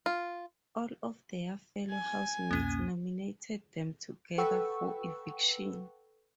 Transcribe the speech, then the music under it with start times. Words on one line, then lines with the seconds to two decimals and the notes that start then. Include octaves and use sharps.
All of their fellow Housemates nominated them together for eviction.
0.06 F4
1.90 G#5
2.51 C2 F2 B2 A#3 C#4 D#7
4.38 A4 B4 F#5 G5 C#6 E6